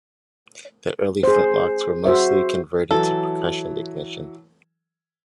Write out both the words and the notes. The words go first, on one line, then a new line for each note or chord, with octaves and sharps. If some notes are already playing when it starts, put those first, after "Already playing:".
The early flintlocks were mostly converted to percussion ignition.
G#4 C5
F#4 C5 E5
E3 F#3 A4